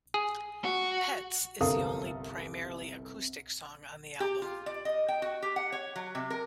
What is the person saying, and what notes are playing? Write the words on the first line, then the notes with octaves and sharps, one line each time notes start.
"Pets" is the only primarily acoustic song on the album.
G#4
F#4
G1 C2 A4 A#4 F5 D#6
G4
F4
D5
D#5
G5
F#4
G4
F#5
C#5
F#3
C3
A#4